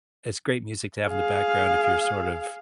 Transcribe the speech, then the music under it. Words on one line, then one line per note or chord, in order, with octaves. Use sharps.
it's great music to have in the background if you're sort of
G#4 F5